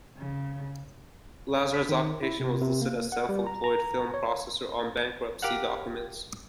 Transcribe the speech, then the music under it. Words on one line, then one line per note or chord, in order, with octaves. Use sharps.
Lazar's occupation was listed as self-employed film processor on bankruptcy documents.
C#3
B6
D#3
E4
C3
C3
A#3
F#5
G3
A#5
A#5
C#5
G4 A#4 F5 F#5